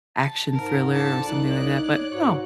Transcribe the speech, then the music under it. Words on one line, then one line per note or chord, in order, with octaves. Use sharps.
action thriller or something like that. But, oh.
A5
G#2 A#4
D4 F4 A4 A5
C2 D#4 D5 F#6
D#4 C#5
G#2 F#4 C#5